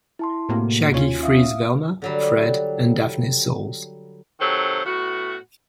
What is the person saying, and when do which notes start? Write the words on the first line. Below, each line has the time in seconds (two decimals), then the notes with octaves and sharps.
Shaggy frees Velma, Fred, and Daphne's souls.
0.19 E4 A5 C6
0.49 A2 C3 A#3 F#4
0.92 D#2 C#4 F4
1.23 E5 F5 D#6
2.02 D3 F#3 G3
4.40 C3 D#3 F#3 A4 C5
4.85 A2 B3 F#4